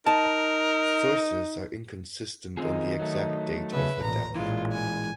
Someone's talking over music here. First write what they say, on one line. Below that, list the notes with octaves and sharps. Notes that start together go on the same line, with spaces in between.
Sources are inconsistent on the exact date of her death.
D#4 A#4 A5
D#3 C4 D#4 F4 G#4
F#3 A3
C#3 B4 E5
A1 A#2 A#5
A1 A#2 E3 G#3 F4
G#5